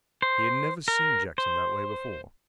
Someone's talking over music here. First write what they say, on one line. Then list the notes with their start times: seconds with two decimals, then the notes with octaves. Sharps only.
He had never seen Jackson that way before.
0.22 C5
0.88 A#4
1.38 C5